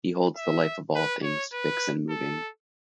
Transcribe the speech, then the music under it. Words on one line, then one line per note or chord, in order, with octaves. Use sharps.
He holds the life of all things fixed and moving.
E5
B4
C#5
B4
A4